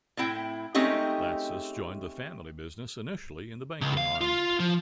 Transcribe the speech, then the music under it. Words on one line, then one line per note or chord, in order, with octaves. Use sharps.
Latsis joined the family business initially in the banking arm.
A2 C4 E4 G5
G#3 A3 C4 C#4 D#4 G4
C#2
F5
F4
F3